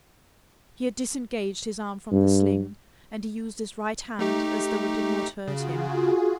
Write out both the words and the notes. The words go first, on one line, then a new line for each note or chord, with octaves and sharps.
He had disengaged his arm from the sling, and he used his right hand as though it did not hurt him.
G2
A3 D#4 G4
C#3 F4 F#4 G#4